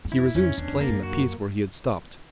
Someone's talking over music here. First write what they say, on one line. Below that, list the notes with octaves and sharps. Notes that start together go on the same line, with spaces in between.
He resumes playing the piece where he has stopped.
F#2
F2 E4
F2 C#4
E2 D4
F2
A#3
F#2
F#4